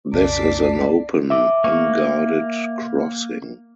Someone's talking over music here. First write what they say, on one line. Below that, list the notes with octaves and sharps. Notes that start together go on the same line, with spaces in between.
This is an open, unguarded crossing.
B1 F2 C#3 D5 A5 D6 B6 C7
E5 D6
A#3 C#6